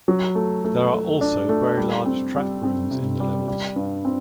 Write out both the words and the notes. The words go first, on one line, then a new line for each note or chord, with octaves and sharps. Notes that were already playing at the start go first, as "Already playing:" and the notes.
There are also very large trap rooms in the levels.
F#3
A3
A3
A3
D4
A3
G3
C4
G3
C4
C3
G3
G3
G2
C4